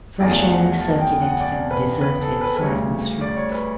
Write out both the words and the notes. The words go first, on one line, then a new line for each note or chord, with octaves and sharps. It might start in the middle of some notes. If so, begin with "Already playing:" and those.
Fresh air circulated in the deserted, silent streets.
E2 C#3 F#3 A3 D5
F#5
F#5
A5
G5
F#5
D5
B4
B4
A4
B4
B4
D2 C#3 G3 C#5
D5
C#5
B4